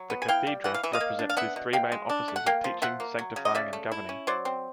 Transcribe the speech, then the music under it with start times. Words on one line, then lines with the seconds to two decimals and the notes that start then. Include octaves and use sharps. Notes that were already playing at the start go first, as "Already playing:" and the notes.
The Cathedra represents his three main offices of teaching, sanctifying and governing.
Already playing: F#3
0.10 B3
0.22 G#5
0.28 E4 F5 G5
0.47 G3
0.64 E3 F#5
0.74 F5
0.83 E3 E5
0.93 D#5 F5
1.00 A#3
1.19 D4
1.29 F5
1.37 B3 E5 F#5
1.56 B2
1.73 B2 F5 G5
1.92 G#3
2.09 D4
2.28 A3
2.36 F#5
2.46 A#3 F5 G5
2.64 F3
2.82 F3 E5 F#5
3.00 A#3
3.19 F#3
3.36 C#3
3.45 D#5
3.55 C#3 D5 E5
3.73 A3
3.92 E4
4.09 C#4
4.27 F#3 C5 D5
4.45 C4